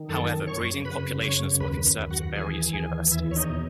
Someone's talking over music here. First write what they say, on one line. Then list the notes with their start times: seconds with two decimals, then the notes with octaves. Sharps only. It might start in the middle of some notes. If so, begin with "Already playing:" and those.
However, breeding populations were conserved at various Universities.
Already playing: D#3
0.09 F#2 A4 A5
0.47 F#2 C#5 C#6
0.84 C#3 B4 B5
1.23 F#2 C#5 C#6
1.60 D#2 B4 B5
1.98 D#2
2.11 F#4 F#5
2.35 E3 G#4 G#5
2.73 D#2 G#4 G#5
3.11 E2 E4 E5
3.31 C#5
3.36 D#4 D#5
3.49 B2